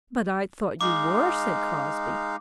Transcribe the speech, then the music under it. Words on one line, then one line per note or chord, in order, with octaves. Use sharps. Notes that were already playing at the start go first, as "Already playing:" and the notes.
"But I thought you were," said Crosbie.
G#3 D#4 F5 D6